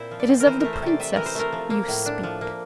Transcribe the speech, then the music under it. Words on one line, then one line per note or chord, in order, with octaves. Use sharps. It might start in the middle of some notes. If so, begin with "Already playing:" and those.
"It is of the princess you speak."
Already playing: A#2 C4 E4 C5
F3
D5
C4
A#4
E3 C5
A3 A#4
C5
C3 D5
C3 E5
E3 A#4
C5
A3 A#4
F3
A#3
A2
D4
F3
A#3